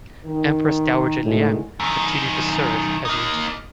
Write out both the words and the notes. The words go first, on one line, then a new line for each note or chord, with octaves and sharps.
Empress Dowager Liang continued to serve as regent.
D#3
A2 D3 D#3 G#3
F#2 D#3
A#3 D#4